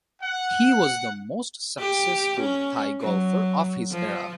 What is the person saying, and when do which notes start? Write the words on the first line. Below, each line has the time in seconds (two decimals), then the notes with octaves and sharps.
He was the most successful Thai golfer of his era.
0.21 F#5
1.79 G4
2.41 C#4
3.00 F#3
3.92 F3